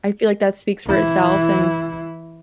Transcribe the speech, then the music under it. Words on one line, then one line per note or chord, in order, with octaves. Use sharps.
I feel like that speaks for itself, and
E3 E4